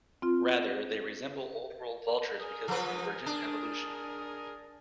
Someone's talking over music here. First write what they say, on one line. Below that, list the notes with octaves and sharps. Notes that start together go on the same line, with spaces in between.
Rather, they resemble Old World vultures because of convergent evolution.
C4 F4
G#4 A#4 D#6
F3 B4
D4